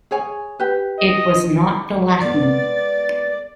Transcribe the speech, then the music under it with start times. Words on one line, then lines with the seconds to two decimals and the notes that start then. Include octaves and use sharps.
It was not the Latin.
0.11 G#4 C#5 G#5
0.59 G4 B4
0.99 D#5
2.21 G#3 B3 A#4 D5 A6